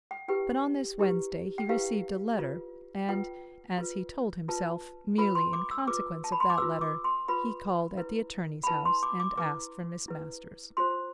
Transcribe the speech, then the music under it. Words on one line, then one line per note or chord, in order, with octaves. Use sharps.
But on this Wednesday he received a letter, and,--as he told himself, merely in consequence of that letter,--he called at the attorney's house and asked for Miss Masters.
G5
E4 G4 B4 G5
E4 G4 B4
G5
E4 G4 B4 F5
F4 B4
F4 B4 G5
F4 B4
F4 B4 A5
F4 B4 B5
C6
D6
E6
F4 B4 D6
A5
B5
C6
D6
F4 B4 E6
D6
C6
F4 B4 B5
E4 B4
B5
E4 B4 A5
C6
D6
D6
E4 B4 D6
E4 B4
F4 C5 C6